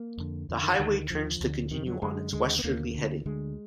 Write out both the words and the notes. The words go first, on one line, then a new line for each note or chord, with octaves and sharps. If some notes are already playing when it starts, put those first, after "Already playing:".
The highway turns to continue on its westerly heading.
Already playing: A#3
F2 D3
F2 D3
D#3
D2 D3 D#3
D#2 D3 F3
D2 D3
F2 D3 D#3
F#3
F#2 D3 G#3
D#2 D3 G#3
B3
D#2 D3 A#3
D2 D3
D2 D3 G#3